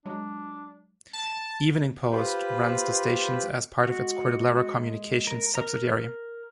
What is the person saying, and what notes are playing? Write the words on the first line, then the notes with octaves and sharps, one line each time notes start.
Evening Post runs the stations as part of its Cordillera Communications subsidiary.
F#3 G#3 D4
A5
F4 G4 B4 C5 B5
G#3 F#4
A#4
A#4 A#5